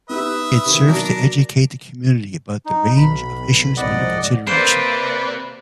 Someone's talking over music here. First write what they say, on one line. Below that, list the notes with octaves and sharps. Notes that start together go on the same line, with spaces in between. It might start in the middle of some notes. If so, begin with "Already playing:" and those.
It serves to educate the community about the range of issues under consideration.
B3 D#4 G4 B4 E5 D#6
C3 D#3
B2 F#3 D4 A#4
D#4
B1 B5
C2 G#2 F3 D5 D#5 F#5
C3 A#3 B4 C5 D5